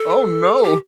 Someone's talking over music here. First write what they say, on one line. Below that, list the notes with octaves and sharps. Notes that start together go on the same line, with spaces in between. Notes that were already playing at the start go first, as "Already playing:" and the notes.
Oh, no!
Already playing: A4
G4